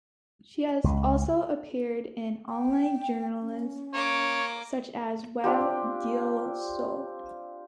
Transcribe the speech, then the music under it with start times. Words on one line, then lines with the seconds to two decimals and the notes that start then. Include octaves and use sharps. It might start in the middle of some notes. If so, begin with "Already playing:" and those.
She has also appeared in online journals such as "Web Del Sol".
0.84 C#2
2.49 G5
3.41 C#4
3.93 A#3 C#5 D6
5.44 C4 D4 F4 G4